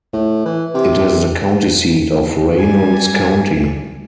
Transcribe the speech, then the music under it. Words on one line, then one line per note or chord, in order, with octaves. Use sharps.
It is the county seat of Reynolds County.
A2
E3
C3
G3 G#5